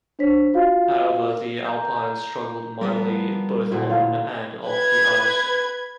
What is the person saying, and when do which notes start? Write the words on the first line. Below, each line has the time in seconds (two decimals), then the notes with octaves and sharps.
However, the Alpines struggled mightily both on and off the ice.
0.19 D4 C5 C#5 B6
0.54 F4 F#4 F5
1.66 A#5 G6
2.81 F3 G3 B3 A#4
3.71 A#2 D3 E4 F#4 C5
3.90 E4 F4 F5
4.68 B4 G#6